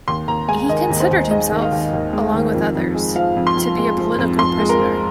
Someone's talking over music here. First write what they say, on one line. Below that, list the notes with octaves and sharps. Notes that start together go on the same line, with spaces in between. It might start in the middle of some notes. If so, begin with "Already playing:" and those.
He considered himself, along with others, to be a political prisoner.
D#2 C6
D#2 A#5
G#3 G#5
D#3 D#5
D#2
C5
D#2
G#3 D#5
D#3
F5
D#2
D#2
G#3
D#3
F2
F2
G#3
F3 F5
F2
C6
F2
G#3
F3
F2
F2 C6
G#3
A#4
F3